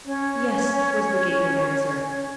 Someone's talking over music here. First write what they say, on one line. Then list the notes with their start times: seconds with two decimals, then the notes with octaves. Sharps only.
"Yes!" was the gaping answer.
0.05 C#4 C#5